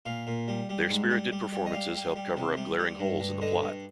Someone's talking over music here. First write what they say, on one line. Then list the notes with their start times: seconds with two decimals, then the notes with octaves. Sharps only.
Their spirited performances help cover up glaring holes in the plot.
0.06 A#2 F5
0.27 A#2
0.48 G3
0.69 G3
0.90 G#2
1.10 G3
1.32 G3
1.52 G3
1.66 D#5
1.73 G3 F5
1.95 G3
2.16 G3
2.37 C3
2.57 G3
2.79 G3
2.99 G2
3.20 G2
3.41 D3 D#5
3.62 G2